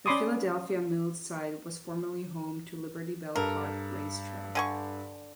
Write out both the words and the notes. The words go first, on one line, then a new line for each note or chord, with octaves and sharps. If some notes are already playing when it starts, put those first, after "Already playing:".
The Philadelphia Mills site was formerly home to Liberty Bell Park Racetrack.
C#4 D5 B5 C6 D6 D#6
G2 A4 A#4
D3 G#5 C#6